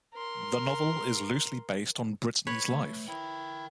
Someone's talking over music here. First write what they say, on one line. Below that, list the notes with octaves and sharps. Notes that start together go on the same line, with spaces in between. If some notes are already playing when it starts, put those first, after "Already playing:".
The novel is loosely based on Britney's life.
A#4 C6
B4 C#5
A3
E4 A#4 G5